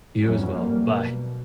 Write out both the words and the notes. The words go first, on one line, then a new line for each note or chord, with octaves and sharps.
You as well. Bye.
F2 E3 F#3 G3 C#4
G3 A#3
B2